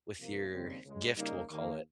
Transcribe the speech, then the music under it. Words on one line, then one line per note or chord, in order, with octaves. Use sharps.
with your gift, we'll call it?
C2 C3 F3 A#3
D#2 C#3 G3 C4
C#2 C#3 G#3
C#3 G3 A#3 D#4
D#2 D#3 A#3